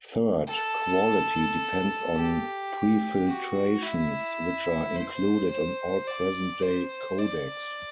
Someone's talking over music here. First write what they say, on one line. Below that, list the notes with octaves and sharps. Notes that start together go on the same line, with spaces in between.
Third, quality depends on prefiltrations, which are included on all present-day codecs.
A4
G4
F#4
E4
C5
C5
D5
C5
D5